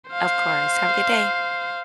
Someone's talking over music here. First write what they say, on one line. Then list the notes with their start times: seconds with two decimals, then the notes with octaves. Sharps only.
Of course. Have a good day.
0.11 C5 F5